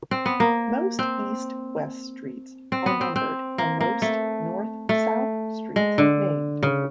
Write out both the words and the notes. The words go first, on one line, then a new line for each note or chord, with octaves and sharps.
Most east-west streets are numbered and most north-south streets named.
C4
B3
A#3
C4
C4
B3
C4
C4
A#3
A#3
A3
A3
G#3
D3
C#3